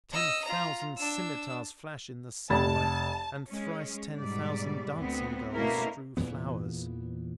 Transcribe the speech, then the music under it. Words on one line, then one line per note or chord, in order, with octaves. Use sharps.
Ten thousand scimitars flash in the sunlight, and thrice ten thousand dancing-girls strew flowers.
D#5 E6
F4 A#5
D4 E6
F1 A5 B5 A6
G#3 C#4
G#2 B2 G3 D5
D2 B3 C4
B2 A3 A#3 C#4 E4 A#4
E2 A#2 E3 B3